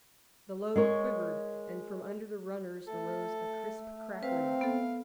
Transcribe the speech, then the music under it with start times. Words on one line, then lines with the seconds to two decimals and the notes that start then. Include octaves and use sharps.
The load quivered, and from under the runners arose a crisp crackling.
0.76 G#3 A#4 C#5
2.87 A3 A4
4.23 C4 B4 F5
4.61 B3 A4